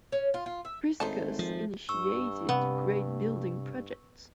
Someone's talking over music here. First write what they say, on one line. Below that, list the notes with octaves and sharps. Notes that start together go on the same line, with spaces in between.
Priscus initiated great building projects.
C#4
F4
F4
E5
G#1 C#3 A3 D#4 C5 A5
F3
G2 C#6 E6
C3 B3